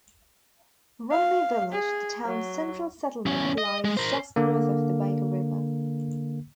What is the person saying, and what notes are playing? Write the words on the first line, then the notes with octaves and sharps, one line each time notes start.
Rumney village, the town's central settlement, lies just north of the Baker River.
F5
G#4
F#3
E2 C#4
D#5
G#3
A#4 C5
D3 A#3